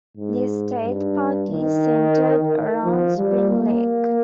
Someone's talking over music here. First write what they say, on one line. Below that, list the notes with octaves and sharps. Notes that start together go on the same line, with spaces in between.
The state park is centered around Spring Lake.
G#2
G2
D#3
F3
G3
A#3